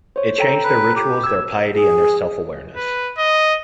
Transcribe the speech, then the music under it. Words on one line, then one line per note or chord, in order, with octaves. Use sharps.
It changed their rituals, their piety, and their self-awareness.
C5 C#5
A4 G5 A#5
B4
G4
E6 G#6
G#4
B4
D#5